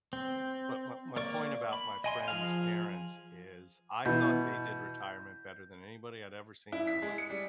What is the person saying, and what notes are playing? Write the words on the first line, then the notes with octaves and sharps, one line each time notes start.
But my my point about my friend's parents is I thought they did retirement better than anybody I'd ever seen in my life,
C4
A#3 D5 C#6
B5
D#5 G#5 C6
F3 G#4 F5
B2 E3 G6
E4
B6
G#3
C#7
G3